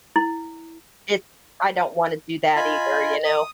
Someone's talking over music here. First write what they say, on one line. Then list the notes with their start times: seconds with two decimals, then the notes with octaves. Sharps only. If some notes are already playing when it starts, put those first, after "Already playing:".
it I don't wanna do that either, you know?
0.16 E4
2.56 F4 D#5 G#5 B5
3.25 D#6